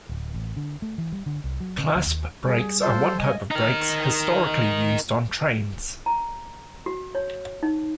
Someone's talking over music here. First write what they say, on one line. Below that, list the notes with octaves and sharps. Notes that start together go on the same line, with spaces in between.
Clasp brakes are one type of brakes historically used on trains.
D1
A1
D3
A3
E3
G3
D3
C2
F#3
C#3
D2
D#2
G3 G#4
F4 A4 C5
D#5 G#5
D#4 A#4
A#5
F#4
C#5
D#4